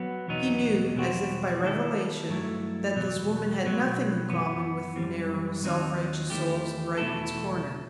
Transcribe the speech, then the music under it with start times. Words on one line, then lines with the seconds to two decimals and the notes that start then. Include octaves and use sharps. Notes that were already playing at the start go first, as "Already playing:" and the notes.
He knew, as if by revelation, that this woman had nothing in common with the narrow, self-righteous souls of Rykman's Corner.
Already playing: F#3 B3
0.28 E2 B2 F#3 B3 D#4
0.95 E2 B2 F#3 C4 F#4
1.62 D#3 A3 E4 A4
2.28 G2 F#3 A3 E4
2.96 E2 B2 F#3
3.63 B1 B2 F#3
4.30 F#2 E3 B3
4.96 F#2 E3 G3 C4
5.63 D#2 D#3 F#3 C4 D#4
6.30 E2 D#3 A3 E4 G4
6.98 E2 B2 A3 E4 A4